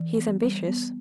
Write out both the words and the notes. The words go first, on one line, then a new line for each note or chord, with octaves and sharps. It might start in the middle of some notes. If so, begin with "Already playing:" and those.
"He is ambitious."
Already playing: E3
B3
G3
B3